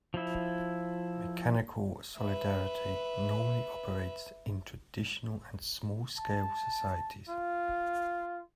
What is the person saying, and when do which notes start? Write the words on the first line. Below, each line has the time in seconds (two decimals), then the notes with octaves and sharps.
Mechanical solidarity normally operates in "traditional" and small scale societies.
0.14 F3 E4
2.17 B4 E5
6.18 A5
7.29 F4